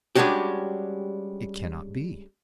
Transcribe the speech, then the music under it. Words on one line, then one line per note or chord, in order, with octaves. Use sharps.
"It cannot be!"
G3 G#3 C#4 D4 F#4 G4